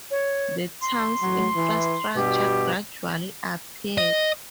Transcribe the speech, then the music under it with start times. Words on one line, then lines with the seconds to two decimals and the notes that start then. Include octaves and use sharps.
The town's infrastructure gradually appeared.
0.10 C#5
0.81 C6
1.23 A1 F#3
1.55 E3
2.15 G2 B2 G4
3.98 D#5